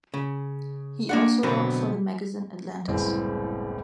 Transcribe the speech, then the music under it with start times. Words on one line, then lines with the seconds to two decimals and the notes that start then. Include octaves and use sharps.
He also wrote for the magazine Atlantis.
0.14 C#3
1.09 A#3 D4 F#5
1.43 B2 D3 F#3 B3 C4
2.88 F#1 C2 A2 G#3 B3 C4